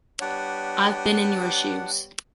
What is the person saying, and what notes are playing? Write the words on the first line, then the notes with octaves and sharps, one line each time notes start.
I’ve been in your shoes.
G3 B3 D4 C#5 F#5